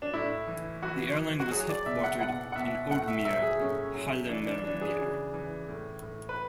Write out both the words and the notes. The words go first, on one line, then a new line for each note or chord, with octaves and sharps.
The airline was headquartered in Oude Meer, Haarlemmermeer.
D4
A2 E4
E3
E3 F#4
E3
F#4
F#3 G#4
D5
B2 E5
F#5
B2 F#5
F#5
B2 E5
A2 F#5
E5
F#3 E5
G#4
A2 C#4
F#3
E3 D4
D4
E3 D4
G#4
C#3
E3
A2
A2
B4